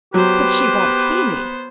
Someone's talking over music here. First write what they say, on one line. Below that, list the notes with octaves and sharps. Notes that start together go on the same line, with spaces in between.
"But she won't see me."
F#3 B3 G4 B4 C5